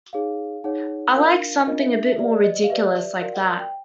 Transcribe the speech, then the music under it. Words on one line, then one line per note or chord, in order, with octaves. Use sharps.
I liked something a bit more ridiculous like that.
D#4 G#4 C#5 F5
D#4 G#4 C#5 F#5
D4 F4 A#4 F5
D4 F4 A#4 D#5
E5
E5
E5
G4 B4 D5 E5
D#5
D#5
D#5
F5
G4 B4 D5 E5
F#4 A#4 D5 F5
F#5
G5